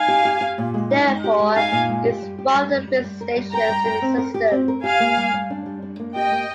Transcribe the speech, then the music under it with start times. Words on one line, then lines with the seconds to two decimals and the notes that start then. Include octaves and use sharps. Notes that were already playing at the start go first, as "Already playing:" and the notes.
Therefore, it is one of the busiest stations in the system.
Already playing: D#4 F5 G#5
0.08 G4
0.25 G4
0.41 G4
0.58 A#2
0.74 G#3
0.90 D#4
1.08 G#3
1.24 G4
1.40 G#3
1.56 D#4 F5 G#5
1.72 A#2
1.89 G#3
2.05 G4
2.22 G3
2.38 G4
2.55 G3
2.71 G3
2.88 G3
3.04 G3
3.21 A#4
3.36 G3
3.53 A#4 G5 A#5
3.69 G3
3.86 A#4
4.02 C4
4.18 A#4
4.34 G4
4.52 C4
4.68 A#4
4.84 G4 F5 G#5
5.00 A#3
5.17 G3
5.34 G3
5.50 D4
5.66 G3
5.82 D4
5.99 A#3
6.15 G4 D#5 G5
6.32 A#3